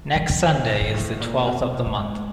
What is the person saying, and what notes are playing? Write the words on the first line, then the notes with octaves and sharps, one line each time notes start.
Next Sunday is the twelfth of the month.
E3
D#3
B2
A2
G#2
A2
A#2
B2
C3
A#2
A2
G#2